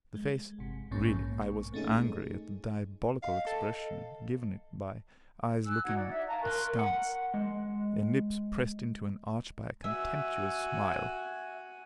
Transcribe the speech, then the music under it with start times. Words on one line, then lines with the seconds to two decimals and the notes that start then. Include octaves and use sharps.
The face--really, I was angry at the diabolical expression given it by eyes looking askance, and lips pressed into an arch by a contemptuous smile.
0.15 G#3
0.58 G1 C3
0.91 A#1 G#2 B2 A#3 C#4 C#6
1.74 A3 C#4 D#4 G#4
3.23 D#5 F5
3.47 A4
5.65 G#5 E6 F#6
5.84 D#4 F#4 F#5 G#6
5.96 D5
6.10 E5
6.27 F5 A5 A#5
6.42 A#4 C6 C#6 F#6
6.79 F#5
7.34 G#3
9.84 F#4 E5 G#5